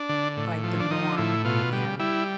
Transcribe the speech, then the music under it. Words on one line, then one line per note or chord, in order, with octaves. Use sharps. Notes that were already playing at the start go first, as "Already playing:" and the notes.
Like the norm. Yeah.
Already playing: D4
D3
A2
F3
D4
F3 D#4
A2 E4
B2 F4
G3
G3 E4